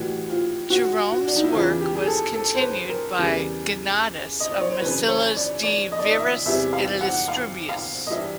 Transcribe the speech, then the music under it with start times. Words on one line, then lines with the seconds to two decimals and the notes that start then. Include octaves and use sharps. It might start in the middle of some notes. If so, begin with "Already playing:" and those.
Jerome's work was continued by Gennadius of Massilia's "De Viris Illustribus".
Already playing: A2 E3 G3 F#4
0.29 F4
0.70 F#4
1.12 F#4
1.27 D4
1.35 D#4
1.44 E4
1.52 E2 C#3 E3 F4
1.81 G4
1.96 G#4
2.07 A4
2.34 A4
2.55 C5
2.62 B4
2.89 A#4
3.18 E2 C#3 E3 G3
4.40 D#5
4.51 D5
4.61 C#5
4.71 C5
4.81 F#2 C#3 E3 B4
5.08 C#5
5.37 D5
5.63 D5
5.92 D#5
5.99 D5
6.05 D#5
6.19 E5
6.45 E2 C3 E3 G3 E5
6.73 F5
7.01 F#5
7.28 F5
7.69 F5
8.07 D#5
8.10 G2 E3 G3 E5